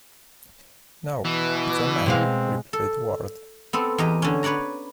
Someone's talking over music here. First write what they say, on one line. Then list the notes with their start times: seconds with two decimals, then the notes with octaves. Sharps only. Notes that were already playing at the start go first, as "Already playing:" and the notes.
"No, "the" man", replied Ward.
1.25 B2 E3
2.06 B2 G#3 C4 F5
2.73 A4
3.73 B3 C4 A4
3.98 E2 G4 D#5 A#5
4.22 D3 C#4
4.43 B4 C#5 D5 F#5 A#5